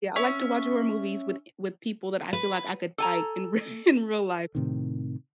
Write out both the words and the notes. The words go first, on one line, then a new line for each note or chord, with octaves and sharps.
Yeah, I like to watch horror movies with with people that I feel like I could fight in rea in real life.
C#4 E5
B4
A4 G#5 A#5
A2 C3 D#3